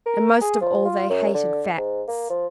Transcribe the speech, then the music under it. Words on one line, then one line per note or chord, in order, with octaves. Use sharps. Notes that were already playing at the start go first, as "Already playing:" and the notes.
And most of all they hated facts.
A#4
G#4
F3
F4
F#2
D3
G#2
A#3
F3